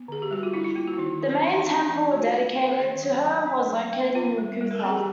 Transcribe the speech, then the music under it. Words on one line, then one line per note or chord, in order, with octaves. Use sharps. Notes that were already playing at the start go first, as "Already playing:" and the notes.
The main temple dedicated to her was located in Kutha.
Already playing: B3
D3 G#4
G4
G3 F#4
F4
D4 E4
E4
A#3 F4
F#4
E4
D#3 D#4
F#3
E3 D#4
D#4
C4
D#4
E3 D4
D#4
G#3 F#4
F4
D4
A#3
D#3
F#3
F#3
D4
F#3
A#3
C4 F4
G3
G3
A#4
A4
C4
G#4
G4